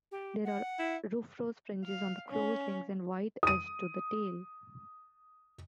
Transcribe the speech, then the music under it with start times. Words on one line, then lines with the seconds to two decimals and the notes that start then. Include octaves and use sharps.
There are rufous fringes on the closed wings and white edged to the tail.
0.12 G4
0.44 F#5
0.79 E4
1.85 F5
2.28 C#4
3.43 D#6 D#7